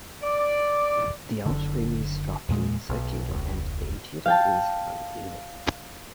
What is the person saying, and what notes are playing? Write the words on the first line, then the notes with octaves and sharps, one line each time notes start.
The outer rim is roughly circular, and the interior is uneven.
D5
F#1 D3
E2 A#2 G#3
B1
E1 C#2
F5 G5 A5